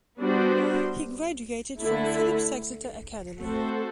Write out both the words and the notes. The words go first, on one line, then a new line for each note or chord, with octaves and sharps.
He graduated from Phillips Exeter Academy.
G3 B3 D4 F#4 C5
D3 A3 E4
A3 C4 F#4 A4 C5